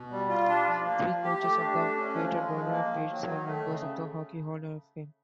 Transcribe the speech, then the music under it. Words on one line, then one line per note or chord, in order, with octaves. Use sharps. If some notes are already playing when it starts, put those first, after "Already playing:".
Three coaches of the Peterborough Petes are members of the Hockey Hall of Fame.
Already playing: B2
G3
F4
D4
F3
A#3
F3
G4
A3
D4
A3
C#4
F3
G#3
F3
A#3
D#3
F#3
D#3
A3
C#3